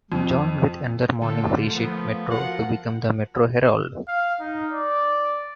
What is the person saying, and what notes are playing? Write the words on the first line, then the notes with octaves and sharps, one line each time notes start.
It joined with another morning freesheet "Metro" to become the "Metro Herald".
F2
D3 A3 A#3 F4 A4
F3 B3
F4 F#4 A#4 F#5
F5
D#4
D5